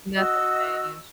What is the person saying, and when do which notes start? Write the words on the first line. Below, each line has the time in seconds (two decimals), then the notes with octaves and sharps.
Nothing changed.
0.16 F#4 D#5 E6